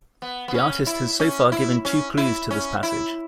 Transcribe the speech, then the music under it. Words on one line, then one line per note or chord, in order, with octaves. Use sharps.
The artist has so far given two clues to this passage.
B3
B3
C#4
E4
C#4
E4
C#4
E4
C#4
E4